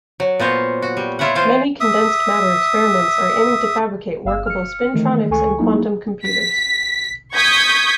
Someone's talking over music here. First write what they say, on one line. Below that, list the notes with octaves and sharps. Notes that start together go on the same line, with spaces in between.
Many condensed matter experiments are aiming to fabricate workable spintronics and quantum computers.
F#3
A#2 B3 C5 C#5
F#4
G3
E4 F4 C#5 E5 F#5
E3 F4 C5
E5 D#6
G1 F5 E6
F6 C#7
D#3 E3 A3
C#2 A4 G#5 C#6
F#3 A#3 D#4 E4
B6
C#6 D#6 G6 G#6 B6